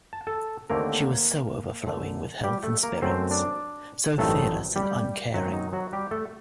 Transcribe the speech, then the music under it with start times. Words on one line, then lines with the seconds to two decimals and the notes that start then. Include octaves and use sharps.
She was so overflowing with health and spirits, so fearless and uncaring.
0.13 A5
0.27 A4 A5
0.70 D#2 D3 A3 A#3 C4 A#4
1.86 F#2 D3 A3
2.44 G3 G4
2.63 A3 A4
2.83 A#3 A#4
3.02 F#2 F#3 A3 C4 C5
3.31 D4 D5
4.18 A1 G2 D#3 F#3 A3 C4 A4
4.76 G3 G4
5.34 F#2 D#3 F#3 C4 F#4
5.53 D#4
5.73 F#3 F#4
5.93 G3 G4
6.11 A3 A4